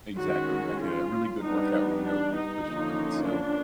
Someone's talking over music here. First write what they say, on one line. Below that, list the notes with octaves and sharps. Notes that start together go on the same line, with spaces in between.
Exactly, like a really good workout where you know you've pushed your limits. So,
D#3 G#3 C#4 F#4
F4
G3 B3 D4 D#4
D4
D#4
D3 F3 A#3 C#4
D4